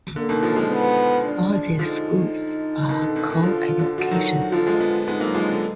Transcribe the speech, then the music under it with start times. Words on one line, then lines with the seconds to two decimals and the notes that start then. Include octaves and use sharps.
All these schools are co-educational.
0.16 D3 A#3
0.29 B2 D#3
0.43 D3 F3
0.56 F3 G#3
0.70 B3
1.24 D4
1.79 D3 F3 D#4
2.89 B2 D#3
3.02 D3
3.15 B2 D#3
3.30 B2 D#3
3.43 D3 F3 F4
3.79 D3
3.98 D3 F3 F#4
4.11 D#3 F#3
4.52 D3 F3 F4
4.67 F3 G#3
4.80 G#3 B3
5.07 G#3 B3 D#4
5.20 F#3 A#3
5.34 F3 G#3
5.49 D3